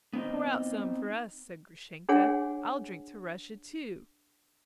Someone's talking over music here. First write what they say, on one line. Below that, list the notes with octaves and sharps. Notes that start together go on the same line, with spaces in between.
"Pour out some for us," said Grushenka; "I'll drink to Russia, too!"
B3 C4 D#4 D#5
D4 G#4 C#5 F#5 G#5